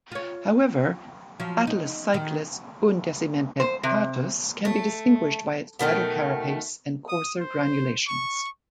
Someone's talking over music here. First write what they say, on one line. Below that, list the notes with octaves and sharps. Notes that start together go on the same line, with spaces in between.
However, "Atelecyclus undecimdentatus" can be distinguished by its wider carapace and coarser granulations.
F4 C#5
F3 F#3
D#4
D#3
C5
C3
A3
B2 D#3 A3 G5
D#6
C5
C#6